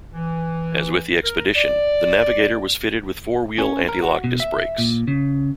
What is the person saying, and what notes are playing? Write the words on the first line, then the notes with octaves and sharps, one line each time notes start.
As with the Expedition, the Navigator was fitted with four-wheel anti-lock disc brakes.
E3
A#4
D5
C#4
A#4
F#4
B2
E5
A#2
C#3